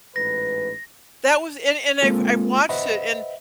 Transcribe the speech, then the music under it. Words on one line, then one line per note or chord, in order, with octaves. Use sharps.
That was and and I've I've watched it, and
A1 G#2 B4 A#6
G#3 A#3 C4 F4 A4
B4 C5 D#5 E5 F#5 B5